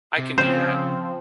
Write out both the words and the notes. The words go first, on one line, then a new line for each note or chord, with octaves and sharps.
I can do that.
C3
C#3 F3 C4 C5